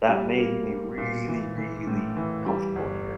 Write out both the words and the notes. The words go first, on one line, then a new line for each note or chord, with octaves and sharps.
that made me really, really comfortable here.
G3
A#3
G3
A#2
E3
E3
A2
E3
G3
G1